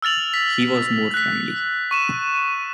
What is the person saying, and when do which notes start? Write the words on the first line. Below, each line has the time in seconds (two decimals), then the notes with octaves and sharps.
He was more friendly.
0.02 E6 F6 A6 F7 F#7
0.34 B6
1.14 F#6 B6
1.91 C#6 D#7 E7